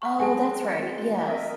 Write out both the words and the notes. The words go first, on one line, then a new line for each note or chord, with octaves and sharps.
Oh, that's right. Yes.
F#5 C#6
F#3 G#3 C4 G#5 A5
F#4
A#4 D#5 E5